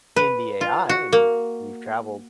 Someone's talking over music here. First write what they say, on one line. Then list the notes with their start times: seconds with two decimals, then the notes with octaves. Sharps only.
in the AI and we've traveled
0.16 B4
0.61 F4
0.89 F#4
1.13 A#3